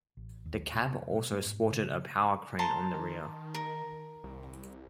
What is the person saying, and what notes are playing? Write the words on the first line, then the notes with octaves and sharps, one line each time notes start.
The cab also sported a powered crane on the rear.
A1
D#2
B2
B2
A3
G#2
C#3
A5 A#5 C6
D#3
A#4
C2